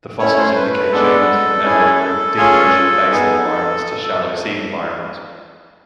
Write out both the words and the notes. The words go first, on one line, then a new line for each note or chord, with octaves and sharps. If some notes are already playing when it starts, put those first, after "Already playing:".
The fossils indicate changes from anaerobic, deep ocean-basin environments to shallow sea environments.
A3 C#4 E4 C#5
C5
B4
B4
G#3 B3 D4 A4
C#4 E4 G#4
C#4 F4 G#4
B3 D#4 G#4